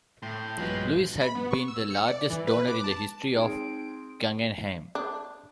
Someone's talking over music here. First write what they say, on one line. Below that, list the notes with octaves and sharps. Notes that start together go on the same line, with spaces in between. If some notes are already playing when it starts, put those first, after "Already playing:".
Lewis had been the largest donor in the history of the Guggenheim.
A2 G5 C6
A#1 G2 F#3 G#3 F4 B4
B5
B3
C#6
E6
C#7
D5
E3
B4
D6
A5
G#3 C4 D#4 D7
D4